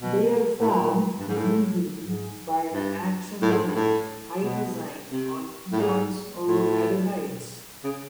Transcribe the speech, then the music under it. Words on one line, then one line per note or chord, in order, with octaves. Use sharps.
They are formed usually by the action of hydrazine on ketones or aldehydes.
B2
A2
A#2
G2
G#2
A2
G#2
G2
A2
G#2
G2
A2
B2
C3
A2
G#2
A2
C#3